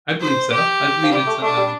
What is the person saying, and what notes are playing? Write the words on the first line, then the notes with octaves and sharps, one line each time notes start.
I believe so. I believe it's, um
C5
G4
F3
G3 G4
A3
A3 D4
G3